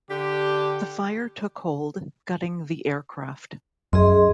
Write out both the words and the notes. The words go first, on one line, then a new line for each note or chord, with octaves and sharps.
The fire took hold, gutting the aircraft.
D3 G4
F#2 G#4 D#5 C6